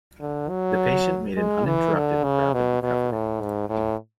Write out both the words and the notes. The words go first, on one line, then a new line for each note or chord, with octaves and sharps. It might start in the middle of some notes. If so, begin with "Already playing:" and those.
The patient made an uninterrupted, rapid recovery.
D3
F#3
G#3
E3
D3
C#3
B2
B2
A2
G#2
A2